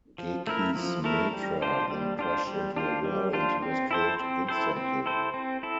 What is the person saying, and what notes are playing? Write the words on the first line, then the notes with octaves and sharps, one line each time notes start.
Geki's Matra then crashed into a wall and he was killed instantly.
F3
A3 E4 A#4
F3
A3 E4 A#4
G3
D4 F4 C5
G3
D4 F4 C5
G3
D4 F4 C5
G3
D4 F4 C5
C4
E4 A4 C5
C4
E4 A4 C5
C4
E4 A4 C5
C4
E4 A4